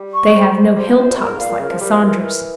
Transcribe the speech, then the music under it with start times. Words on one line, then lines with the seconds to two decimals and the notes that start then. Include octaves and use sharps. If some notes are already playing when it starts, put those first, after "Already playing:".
They have no hilltops like Cassandra's.
Already playing: G3
0.13 C#6
0.33 C5
0.55 C5
0.76 G3 C5
0.87 F3
0.97 E3 C5
1.07 A#2
1.17 C3 A#4
1.24 A#2
1.28 G#2
1.39 A#2 F5
1.50 A#2
1.60 C#3 A#4
1.70 F3
1.81 G3 A#4
1.91 F3
2.02 E3 A#4
2.23 A#4